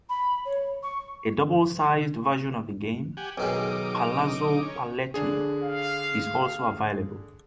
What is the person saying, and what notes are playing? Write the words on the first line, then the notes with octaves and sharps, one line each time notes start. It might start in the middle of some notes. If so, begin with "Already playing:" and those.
A double-size version of the game, "Palazzo Paletti", is also available.
B5
C#5
C#6
G4 F#5 G#5
B1 D#3 D#4 G#4 D6
C#4
D3 D4 G#4
F5